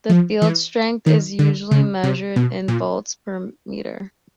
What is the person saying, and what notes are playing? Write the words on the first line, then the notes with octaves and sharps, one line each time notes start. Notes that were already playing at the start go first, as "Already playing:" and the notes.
The field strength is usually measured in volts per meter.
F3
E3
D#3
D3
C#3
C3
B2
A#2